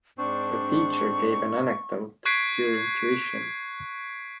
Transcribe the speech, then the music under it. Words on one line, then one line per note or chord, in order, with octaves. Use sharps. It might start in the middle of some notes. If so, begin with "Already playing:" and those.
The teacher gave an anecdote during tuition.
G#2 C4 D4 C#6
C#6 F#6 G#6 B6 C7 D7